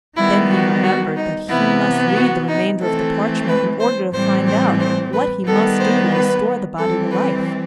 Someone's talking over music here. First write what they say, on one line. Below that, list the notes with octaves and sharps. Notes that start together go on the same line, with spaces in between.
Then he remembered that he must read the remainder of the parchment in order to find out what he must do to restore the body to life.
D#3 G3 B3 E4
F#4
F#4
D#4
C3 E3 B3 E4
F#4
D#4
E3 A3 C4 A4
B4
C5
A2 E3 G3 C4 C5
C5
C5
B4
D#3 G3 B3 A4
C5
B4
E3 G3 C4 A4
B4